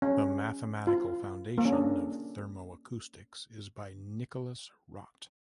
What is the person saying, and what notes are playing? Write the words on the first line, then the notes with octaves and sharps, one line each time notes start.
The mathematical foundation of thermoacoustics is by Nikolaus Rott.
C#4
F4
A#3
C#4
D4